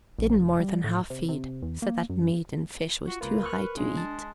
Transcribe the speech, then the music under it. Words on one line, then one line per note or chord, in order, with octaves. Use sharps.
Didn't more than half feed, said that meat and fish was too high to eat.
A#1
F1
G3
A2
C3
C3
E2
A#3
F#2
F4 F#4
C#2 A#3 F4 A#4 B4
C#6 F6 F#6
C#3 G#3 D4
A5